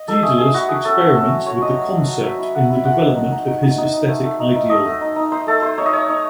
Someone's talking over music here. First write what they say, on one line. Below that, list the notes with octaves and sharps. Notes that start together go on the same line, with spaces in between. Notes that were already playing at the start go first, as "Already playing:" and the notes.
Dedalus experiments with the concept in the development of his aesthetic ideal.
Already playing: D#5
D#4 A4
A3 G#4
A3 G#4
E4 F#4
A3 G#4
C#4 A4
A3
C#4 A4
C#4
A3 C#5
F#3 D#5
F#3
F#3
F#3
F#3 E5
E4
F#3 F#5
E4
A3 F#5
D#4
D#4
D#4
D#4
D#4
D#4
D#4
A3
A3
D#4
D#4
A3 D#5
A3
D#4
D#4
D#4 C5
A3 A4
A3 C5
D#4 C#5
D#5
A3 C#5
D#4